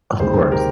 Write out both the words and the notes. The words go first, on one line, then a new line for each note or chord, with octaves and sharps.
Of course.
D2 C3 D#3 G3 G#4 C5
G4 A#4